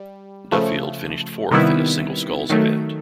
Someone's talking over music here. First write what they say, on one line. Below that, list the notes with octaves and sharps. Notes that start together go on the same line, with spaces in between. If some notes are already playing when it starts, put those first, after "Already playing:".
Duffield finished fourth in the single sculls event.
Already playing: G3
C#3 F3 A3
C3 D#3 G3 B3 E4
D#3 F#3 A3